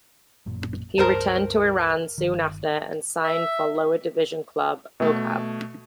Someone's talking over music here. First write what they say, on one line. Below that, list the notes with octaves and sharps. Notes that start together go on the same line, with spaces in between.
He returned to Iran soon after and signed for lower division club, Oghab.
A1 F#2 A#2
C#2 G2 A#4 C5 A5
G1 C2 D#3
E5
B2 A3